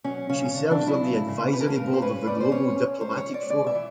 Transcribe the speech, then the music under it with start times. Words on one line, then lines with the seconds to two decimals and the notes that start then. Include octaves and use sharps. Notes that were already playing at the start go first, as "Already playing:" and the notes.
She serves on the advisory board of the "Global Diplomatic Forum".
0.04 F#3 C#4
0.29 C#3 C#4
0.45 C#4
0.54 C#3 D4
0.71 D4
0.79 F#3
0.87 E4
1.04 C#3
1.28 C#3
1.53 C#3 B4
1.61 A#4
1.68 A4
1.76 C#3 A#4
1.94 C5
2.02 C#4 B4
2.27 A3 D5
2.40 C5
2.51 C#4 C#5
2.76 C#4
3.00 G#3 C5
3.17 C#5
3.26 G#3
3.34 D5
3.50 E3 D5
3.67 E5
3.75 E3